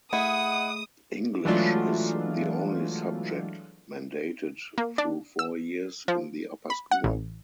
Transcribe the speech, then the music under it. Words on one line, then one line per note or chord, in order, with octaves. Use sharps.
English is the only subject mandated through four years in the Upper School.
A3 E4 G#4 D#5 F#5 D#6
E3 F#3 G#3 A3 D4 F4
A#3
D4
E6
F3
B5
F#5
A1